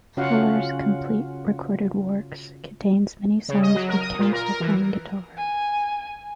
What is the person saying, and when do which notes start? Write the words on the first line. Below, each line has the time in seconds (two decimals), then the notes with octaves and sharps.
Fuller's "Complete Recorded Works" contains many songs with Council playing guitar.
0.17 C#3 C#4 F4 F#4 F5 F#5
3.48 C#3
3.62 D#5
3.75 F#3
3.89 A#4
4.01 D#6
4.19 A#2
4.33 A#4
4.46 A#4
4.60 E3
5.38 G#5